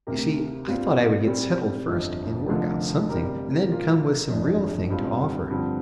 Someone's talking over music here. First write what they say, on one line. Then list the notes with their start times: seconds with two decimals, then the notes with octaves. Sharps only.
You see, I thought I would get settled first and work out something, and then come with some real thing to offer.
0.07 D2 C3 A#3 G4 A#4
0.67 G2 G3 C4 F4
1.27 A#2 G3 C4
1.88 G1 F2 F3
2.48 F1 F2 D3 A#3 F4
3.09 C3 G3 A#3 G4 A#4
3.69 A#2 F3 A#3 F4
4.29 G1 F2 F3 D4
4.90 G2 G3 C4 F4
5.50 G2 D3 F3 C4